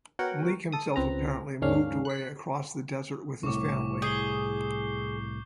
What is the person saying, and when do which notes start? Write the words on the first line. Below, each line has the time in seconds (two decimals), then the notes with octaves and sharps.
Malik himself apparently moved away across the desert with his family.
0.19 B3 F#4 A#4 C#5 F#5 G5
0.72 A4 D#6
0.96 C#2 C4 B4 A#5
1.62 D#2 G#2 A#3 C#4 D4 F5
2.05 F#6 B6
3.43 C2 A2 C#6 D6
4.02 G#4 G6 C7 G7